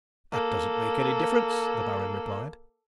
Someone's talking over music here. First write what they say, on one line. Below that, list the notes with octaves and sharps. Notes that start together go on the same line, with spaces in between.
"That doesn't make any difference," the Baron replied.
A#3 A4